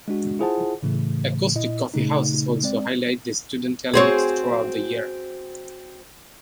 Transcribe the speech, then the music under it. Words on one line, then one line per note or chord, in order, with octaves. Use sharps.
Acoustic coffeehouses also highlight student talent throughout the year.
G#3 D4 F#4
E4 F4 G#4 C5 F#5 A5
A2 C#3 E3 A3
A#2 E4 D#5
A#2 C#3 A3 D#4
G#3 C4 D5
C4 F#4 G#4 C5 C#5 G5